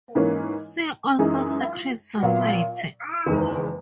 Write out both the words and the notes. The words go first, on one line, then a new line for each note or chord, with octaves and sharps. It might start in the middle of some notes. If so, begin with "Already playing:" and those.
See also secret society.
G#2 E3 A#3 C#4
F#2 E3 G#3 D#4 G#4
A#2 F#3 B3
F#1 E2 D#3 G#3